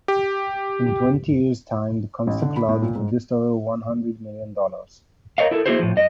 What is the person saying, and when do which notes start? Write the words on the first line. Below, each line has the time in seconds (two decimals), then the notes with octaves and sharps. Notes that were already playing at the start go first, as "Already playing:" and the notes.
In twenty years time the Comstock Lode produced over one hundred million dollars.
0.08 G4
2.27 A1
2.42 D3
2.56 B5
2.69 A2
2.82 A#2
2.95 G#2
5.38 A#4 C#5 D#5 F5
5.51 E4 A4 A#4
5.66 A#3 C4 E4 F#4 G#4 C5
5.79 A2 F3
5.96 F#2 D#5